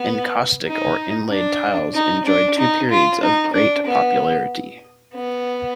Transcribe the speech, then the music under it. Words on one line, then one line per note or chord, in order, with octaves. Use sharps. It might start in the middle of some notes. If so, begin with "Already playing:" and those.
Encaustic or inlaid tiles enjoyed two periods of great popularity.
Already playing: B3
D#4
D4
D#4
D4
D#4
F4
D#4
D4
B3
B3